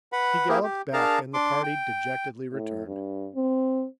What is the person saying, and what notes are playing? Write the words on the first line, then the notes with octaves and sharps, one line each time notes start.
He galloped back and the party dejectedly returned.
B4 F#5 B5
A#3 E4 G4 G#4 A#4
G4
D4 G#4 A#4 F5 A5 A#5
D4 C6 D6
G5
A2
G2
C4